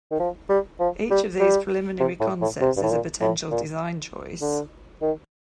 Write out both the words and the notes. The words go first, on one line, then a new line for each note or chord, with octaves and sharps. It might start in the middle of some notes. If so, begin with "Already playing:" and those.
Each of these preliminary concepts is a potential design choice.
D#3
F3
G3
F3
G3
G3
C3
A2
A2
C3
G2
A2
A#2
A2
A#2
D3
D#3